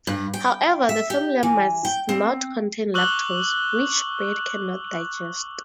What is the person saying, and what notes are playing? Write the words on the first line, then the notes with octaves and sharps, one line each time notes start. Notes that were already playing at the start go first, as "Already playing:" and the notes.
However, the formula must not contain lactose, which birds cannot digest.
G2
G5
E5
G4
E3
G5
C4
C#6 D6 E6 F#6 F#7 G7